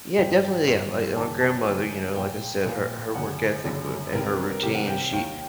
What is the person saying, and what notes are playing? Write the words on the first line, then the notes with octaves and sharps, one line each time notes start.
Yeah definitely, yeah, like, my grandmother, you know, like I said, her her work ethic w and her routine, she
A1 G2 D#3 G5
A1 G2 D#3
F#1 F#2 D#3 A5
A5
F#1 F#2 D#3
A#1 A#2 G5
A#1 A#2
F#1 F#2 D3 F#5
F#1 F#2 D3
C2 C3 D#3 A#4
A#4
A#4
C2 C3 D#3 G4
F#5
G5
D#2 D#3 G5